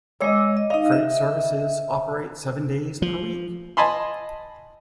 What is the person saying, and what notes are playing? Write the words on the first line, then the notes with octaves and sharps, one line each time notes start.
Freight services operate seven days per week.
G#3 C#5 D#5 D6 E6
D#5
D#4 D#5 F5
E5
F3
D#5 G#5 A5 B5 C6